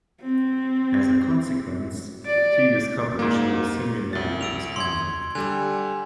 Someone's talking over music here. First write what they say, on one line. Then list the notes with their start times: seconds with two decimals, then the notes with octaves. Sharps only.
As a consequence, Telus' coverage will similarly expand.
0.21 C4
2.27 D5
3.19 G#2 A#3
4.13 C2 A6
4.41 E6 D7 F7
4.76 C6 G#6
5.35 D3 G3 G#5